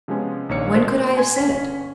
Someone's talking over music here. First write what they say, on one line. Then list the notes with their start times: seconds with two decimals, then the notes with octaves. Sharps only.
"When could I have said it?"
0.08 C3 F3 G#3 B3 C#4
0.49 A#1 D#3 A#3 C#5 C#7
0.73 B2 A#4 C5 D5 C6 F#6
1.17 G#5 C6 G#6
1.36 G1 C#4 B6